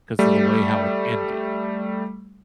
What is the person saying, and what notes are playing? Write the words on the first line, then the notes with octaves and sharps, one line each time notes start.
'cause of the way how it ended.
G3 A3